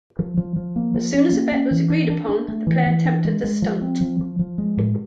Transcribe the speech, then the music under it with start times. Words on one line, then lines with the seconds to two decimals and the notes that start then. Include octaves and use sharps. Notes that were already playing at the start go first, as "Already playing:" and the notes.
As soon as a bet was agreed upon, the player attempted the stunt.
0.19 F3
0.37 F3
0.56 F3
0.76 A#3
0.94 F3
1.14 C#4
1.33 A#3
1.52 C#4
1.71 E3
1.90 D4
2.10 D4
2.29 D4
2.48 A3
2.67 E3
2.86 E3
3.05 D4
3.25 G#3
3.44 G#3
3.62 F3
3.82 C4
4.01 F3
4.19 F3
4.39 F3
4.58 G#3
4.77 A2